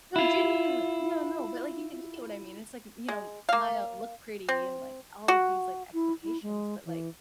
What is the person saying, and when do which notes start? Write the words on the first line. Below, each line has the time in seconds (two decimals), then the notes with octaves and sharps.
No, genuinely. No no, but, like, you you get what I mean, it's like, y you know, smile, look pretty, and, like, all of these, like, expectations. But like,
0.16 E4 F4
3.08 G#3
3.49 A#3 F5
4.49 C4
5.28 F#4
5.94 E4
6.23 E4
6.42 G#3
6.85 E3